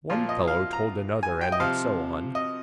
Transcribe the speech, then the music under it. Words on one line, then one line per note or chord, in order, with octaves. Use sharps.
One fellow told another and so on.
A#2 F3 F4
D#5
F5
A#5
G#5
G5
D#5
C3 F3 F5
D#5